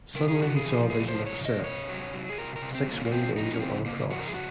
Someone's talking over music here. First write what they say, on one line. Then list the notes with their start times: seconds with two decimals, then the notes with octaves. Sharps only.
Suddenly he saw a vision of a seraph, a six-winged angel on a cross.
0.15 C#3 A#4
0.28 G#4
0.40 F3 F#4
0.56 G#4
0.65 F3
0.89 C#3 G#4
1.08 C5
1.13 F3
1.26 C#5
1.39 C#3
1.45 D#5
1.63 C3 C#5
1.89 F#3
2.13 F#3
2.29 G#4
2.38 C3 A#4
2.56 A#4
2.62 C3
2.75 C4
2.87 F#3
2.93 A#3
3.05 A#3
3.11 F3 C4
3.37 F3 D#4
3.54 C#4
3.60 C#3 C4
3.85 C#3 A#3
4.10 F3 F#4
4.20 A#4
4.27 G#4
4.34 C#3 F#4